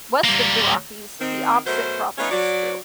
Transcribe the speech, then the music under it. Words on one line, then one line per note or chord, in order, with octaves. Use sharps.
West of the Rockies, the opposite problem was true.
G3 A#3
D#3 C4
B2 F#3 A3 A#4 C5
B3 C#4 D#4 F4 C#5 E5
F#3 D5